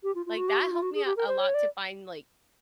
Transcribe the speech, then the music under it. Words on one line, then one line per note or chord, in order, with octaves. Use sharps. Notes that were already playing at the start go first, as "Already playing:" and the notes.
like, that helped me out a lot to find, like,
G4
F4
F4
F#4
G4
F#4
F4
F#4
G#4
G4
A#4
C5
C#5
D5